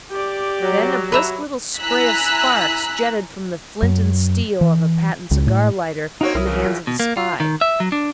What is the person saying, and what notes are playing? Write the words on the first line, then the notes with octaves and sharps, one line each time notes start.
Then a brisk little spray of sparks jetted from the flint and steel of a patent cigar-lighter in the hands of the spy.
G4 D5
F#3
B4 E5 A#5
E4 G#5 A#5 E6 F#6 B6
F#2
E3
C#2
A2
A#3 C4 D#4 F#4 C#5
C2 E4 A#4 D#6
F#2 C#3 E3
F4
B2
A#3
F4
D#3
E5
F#3
D4